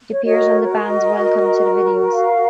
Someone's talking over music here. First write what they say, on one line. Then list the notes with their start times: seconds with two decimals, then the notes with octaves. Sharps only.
It appears on the band's "Welcome to the Videos".
0.11 C#5
0.24 F#4 A#4 C#5 D#5
0.64 C#5
0.71 D#5
2.13 F5